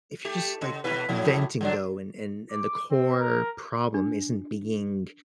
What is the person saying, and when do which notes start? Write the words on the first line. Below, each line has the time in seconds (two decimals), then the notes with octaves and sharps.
if you're just, like, v venting, though, and and and the core problem isn't being,
0.25 A3 G4
0.62 C#3
0.84 B2 E4 B4
1.09 F2 A2 F#3
1.61 D3 F#3 D4
2.51 D6
2.91 C4
3.19 A#4
3.94 D4